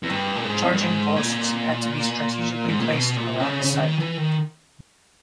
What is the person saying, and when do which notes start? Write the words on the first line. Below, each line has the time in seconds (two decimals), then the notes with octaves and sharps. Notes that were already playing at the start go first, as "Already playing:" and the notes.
Charging posts had to be strategically placed around the site.
0.03 E2
0.10 G2
0.36 A#2
0.45 G#2
0.64 E2
0.72 G2
0.81 G#2
1.16 A#2
2.68 G#2
2.80 A#2
2.93 B2
3.17 A#2
3.40 C#3
3.64 C#3
3.75 C#3
3.81 D#3
3.99 E3
4.17 D#3